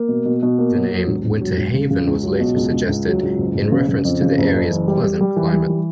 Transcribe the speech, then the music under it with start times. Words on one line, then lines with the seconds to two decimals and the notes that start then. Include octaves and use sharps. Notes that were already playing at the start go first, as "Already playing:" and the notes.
The name Winter Haven was later suggested, in reference to the area's pleasant climate.
Already playing: A#3
0.09 B2
0.26 B2
0.43 B2
0.58 A#3
0.75 F#3
0.91 F#3
1.07 E1
1.25 E1
1.41 F#3
1.57 E1
1.74 C#3
1.90 C#3
2.07 C#2
2.23 F#3
2.40 B2
2.56 C#2
2.72 C#2
2.89 C#2
3.06 F#3
3.23 C#2
3.38 F#1
3.55 F#1
3.72 C#3
3.88 C#3
4.05 F2
4.21 C#3
4.38 F#1
4.54 F#1
4.70 E3
4.88 G3
5.03 G3
5.21 G3
5.36 E3
5.52 G3
5.69 E3